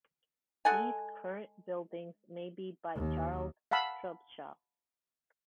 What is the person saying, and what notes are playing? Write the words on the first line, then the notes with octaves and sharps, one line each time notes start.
These current buildings may be by Charles Trubshaw.
G#3 A4 F#5 G#5
D#2
F5 F#5 A5 B5 E6